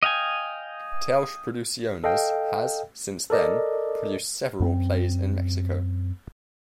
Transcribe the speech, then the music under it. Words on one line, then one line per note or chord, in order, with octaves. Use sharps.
Telch Producciones has, since then, produced several plays in Mexico.
D#5 F5 G5 G#5
A4 D#5 F5 G5
A4 A#4 D5 D#5
F#2 B3 C4